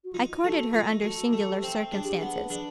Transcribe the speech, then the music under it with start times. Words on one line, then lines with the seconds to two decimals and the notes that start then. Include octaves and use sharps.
I courted her under singular circumstances.
0.04 F#4
0.13 D#4 F4
0.44 A3 F#4
0.73 D#4 F4
1.02 A3 F#4
1.33 A3
1.48 G4
1.63 C4
1.92 D4 G#4
2.05 G4
2.18 G#4
2.21 B3
2.36 G#4
2.50 D4